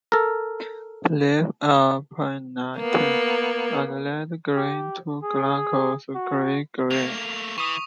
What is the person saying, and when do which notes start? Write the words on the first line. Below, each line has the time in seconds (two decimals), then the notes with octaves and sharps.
The leaves are pinnate and light green to glaucous grey-green.
0.12 A4 A#4
2.78 A#3 B3
4.56 G4
5.23 G#4
6.15 F#4
6.91 A3 A#3 F7
7.58 E3 C#6 D#6